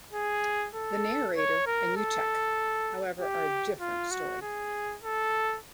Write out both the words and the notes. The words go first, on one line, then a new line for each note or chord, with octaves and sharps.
The narrator and Utch, however, are a different story.
G#4
A4
C#5
A#4
A4
G4
F4
F#4
G#4
A4